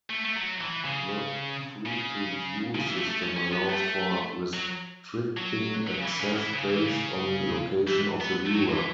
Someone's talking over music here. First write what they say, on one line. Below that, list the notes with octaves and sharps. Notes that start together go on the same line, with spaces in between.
The free-to-view system allows for restricting access based on location of the viewer.
A3
A3
F#3
E3
C#3
C#3
C#3
E3
A3
A3
C#4
C#4
B3
A3
F#3
F#3
F#3
C#3
E3
C#3
E3
C#3
E3
C#3
E3
B3
A3
F#3
E3